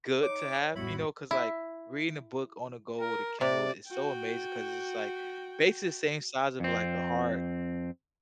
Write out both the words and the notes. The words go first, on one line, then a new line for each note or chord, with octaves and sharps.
good to have, you know, 'cause, like, reading a book on the go with a Kindle is so amazing 'cause it's, like, basically the same size of, like, a hard
D#4 C#5 D6
A1 F2 G3 G#3 B3 E4 F#4 B5
E4
A#4
C3 D5
F#4 G5
F2 C4